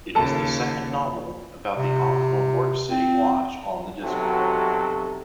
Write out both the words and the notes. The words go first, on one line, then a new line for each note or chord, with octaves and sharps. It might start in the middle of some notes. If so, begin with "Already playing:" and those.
It is the second novel about the Ankh-Morpork City Watch on the Discworld.
D#2 C#3 A4 A5
C3
C4
B1 C3 F#3 F#4 G4 A4